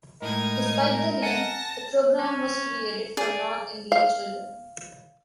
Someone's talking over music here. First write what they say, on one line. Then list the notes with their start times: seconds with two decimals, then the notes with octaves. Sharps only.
Despite the name, the program was created for non-Indian children.
0.22 A2 G#3 D#4 A#4 G#6
1.22 F#5 G#5 A5 A#6
2.19 C#4
3.17 G#4 D5
3.92 F5